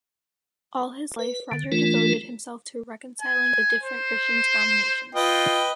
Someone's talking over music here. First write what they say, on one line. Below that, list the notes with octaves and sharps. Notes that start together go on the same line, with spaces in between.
All his life, Roger devoted himself to reconciling the different Christian denominations.
B4
D3
E3 A3 D4 F4 A#4
G#5
C5
F4 B4 D#5 G5